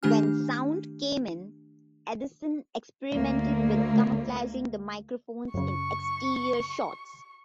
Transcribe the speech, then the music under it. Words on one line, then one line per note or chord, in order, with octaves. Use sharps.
When sound came in, Edeson experimented with camouflaging the microphones in exterior shots.
D#3 A3 D4 G4 G#5 F6
D2 A#3
F#2 C#3 C#6